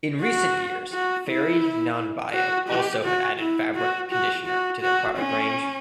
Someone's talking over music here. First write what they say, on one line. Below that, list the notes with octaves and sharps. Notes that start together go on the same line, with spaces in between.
In recent years, Fairy Non-Bio also have added fabric conditioner to their product range.
F#4
F#4
E4
F#4
G4
F#4
E4
F#4
F#4
F#4
F#4
C#4